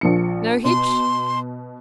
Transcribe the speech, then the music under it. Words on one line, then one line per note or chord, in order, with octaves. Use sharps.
"No hitch?"
A#1 F3 C#7
B2 C6